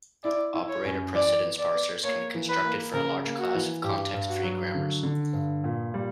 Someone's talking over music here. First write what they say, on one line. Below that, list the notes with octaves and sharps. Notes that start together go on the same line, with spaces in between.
Operator-precedence parsers can be constructed for a large class of context-free grammars.
E4 D5
E4
C#5
F#2
E3 D5
B3
D5
B3
A#3 C#5
E3
B4
A#3
C#3 A#4
A#3
F#4
E3
G2 G4
G2
F#4
F#3
D3
D3
G2
A#2
G3